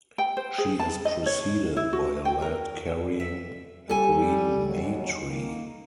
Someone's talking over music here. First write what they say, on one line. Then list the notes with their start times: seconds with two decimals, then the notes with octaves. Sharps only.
She is preceded by a lad carrying a green May-tree.
0.18 G5
0.37 C5
0.58 G#4
0.80 A5
1.05 D#5
1.26 C#5
1.77 E4
1.93 F#4
2.25 G5
2.42 A#4
3.20 E5
3.89 G3 A4 G#5
4.67 D#2 F#3
5.30 D#3 A#3